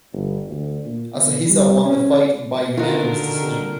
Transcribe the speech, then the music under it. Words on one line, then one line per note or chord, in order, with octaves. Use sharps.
Asahisa won the fight by unanimous decision.
G1
D2
A#2
B3
G3
C#4
D3 D#3 F4 F#4 A#4